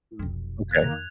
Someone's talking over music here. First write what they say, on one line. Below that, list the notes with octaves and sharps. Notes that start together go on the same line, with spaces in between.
Mm, okay.
F1 B1 F2
D#3 A#3 F#6 G#6 F7